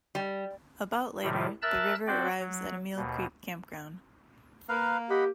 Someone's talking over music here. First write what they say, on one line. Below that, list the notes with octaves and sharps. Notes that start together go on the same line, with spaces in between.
About later, the river arrives at Emile Creek Campground.
G3
A2 C3 D#3 G3
A#4 E5 A5 E6 F#6 A6
C4 F#4 D5 G5
F#3
D#2 B2
A#3 A#4 B4 F5
G4 D#5 F#5 B5